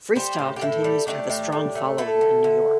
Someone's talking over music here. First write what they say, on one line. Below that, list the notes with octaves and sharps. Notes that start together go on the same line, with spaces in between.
Freestyle continues to have a strong following in New York.
G3 G4 C5
A2
G4
A2 E4 A4
G3
A3 D4 G4
A2
A2
A3
A3 E4 A4
D3
D3